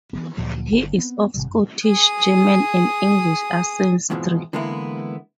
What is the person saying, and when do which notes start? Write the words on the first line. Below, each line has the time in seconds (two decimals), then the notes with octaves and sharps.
He is of Scottish, German and English ancestry.
0.13 E3 F#3 B3
0.37 D2 A#2 F3 F#3
0.72 G1
0.98 B3 C4
1.34 G#1 C3 E3 G3
1.47 F#2
1.86 G#4 D#6
4.10 F2 G#2 B2 E3 F3 G#3
4.53 D3 E3 G#3 A#3 B3 E4